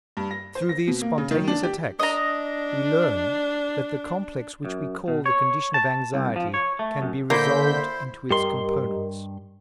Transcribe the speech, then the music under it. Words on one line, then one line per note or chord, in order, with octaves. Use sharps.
Through these spontaneous attacks we learn that the complex which we call the condition of anxiety can be resolved into its components.
G2
A#6
C5
A#6
B2
A#3
C#3
D#3
D4
G4
D4 D#5 A#5
F#2
B2
C#5
A5
C2
F3
C#5
A3
F#2
D3 A#3 E4 C5 C6 G6 B6
G2 G4 A#4 D#5 C6